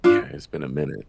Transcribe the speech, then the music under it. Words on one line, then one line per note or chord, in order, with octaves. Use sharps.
Yeah, it's been a minute.
D4 F4